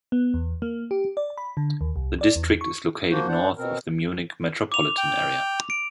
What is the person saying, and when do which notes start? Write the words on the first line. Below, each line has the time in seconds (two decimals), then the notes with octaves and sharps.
The district is located north of the Munich metropolitan area.
0.12 B3
0.34 E2
0.62 A#3
0.91 G4
1.17 D5
1.38 B5
1.57 D3
1.81 D#2
1.96 C2
2.21 D5
2.36 E2
2.61 C#6
3.11 F3 A#3 F#4 C5
3.28 D4 C5 F#5
3.58 B2 C4 A#4
4.72 D6 F7
4.98 G5
5.70 D7